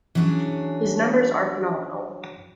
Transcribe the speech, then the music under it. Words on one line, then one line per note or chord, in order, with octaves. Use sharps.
His numbers are phenomenal.
E3 F#3 C#4 D4 G#4